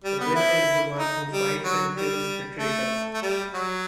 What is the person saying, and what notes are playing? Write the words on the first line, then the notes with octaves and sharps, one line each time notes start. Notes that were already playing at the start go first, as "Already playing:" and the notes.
The winner is the one who finds and kills the traitor.
G3
B3
E4
D#4
G3
F#3
G3
A3
A3
G3
F#3